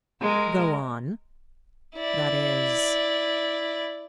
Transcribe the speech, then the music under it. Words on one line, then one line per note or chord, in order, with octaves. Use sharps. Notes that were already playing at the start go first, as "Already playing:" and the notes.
"Go on--that is?"
G#3 A#4
E4 D5